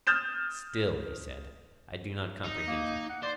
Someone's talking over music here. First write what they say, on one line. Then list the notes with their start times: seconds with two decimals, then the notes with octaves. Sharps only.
Still, he said, I do not comprehend you.
0.07 D#6 F6 G6 A6 E7
2.44 D#4
2.67 A#3
3.09 F#5
3.23 C5 D5